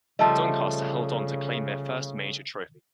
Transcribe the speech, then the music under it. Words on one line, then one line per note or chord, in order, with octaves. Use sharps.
Doncaster held on to claim their first major trophy.
C#3 F3 G3 A3 D#5 E5 A5